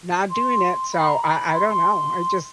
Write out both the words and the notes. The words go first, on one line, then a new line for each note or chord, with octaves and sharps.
not doing it, so, I I don't know, I just
C6
B5
A#5
B5
C6
C6